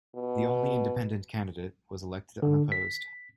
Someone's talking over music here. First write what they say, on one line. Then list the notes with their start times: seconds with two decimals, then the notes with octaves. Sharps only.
The only independent candidate was elected unopposed.
0.15 B2
2.42 D3
2.72 B6